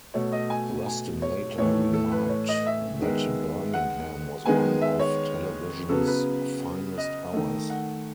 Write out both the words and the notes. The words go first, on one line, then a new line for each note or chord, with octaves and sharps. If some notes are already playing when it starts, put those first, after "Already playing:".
Rustin later remarked that Birmingham was one of television's finest hours.
B2 A3 C#5
D#5
G#5
G#5
C#5
A2 E3 A3 C#5
A4
B4
C#5
D#5
E5
D#3 G#3 B3
F#5
D#3 G#3 B3 G#5
E5
C#5
C#3 F#3 B3 A4
B4
D#5
D#3 A3
F#5